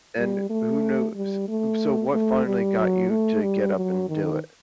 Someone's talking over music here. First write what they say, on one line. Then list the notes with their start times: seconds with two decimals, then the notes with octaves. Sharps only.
and who knows so, what finally got you to get up and do it?
0.19 G3
0.50 A3
1.16 G3
1.48 A3
2.13 A3
2.46 G3
2.78 F#3
3.10 A3
3.43 G3
3.76 F#3
4.09 D#3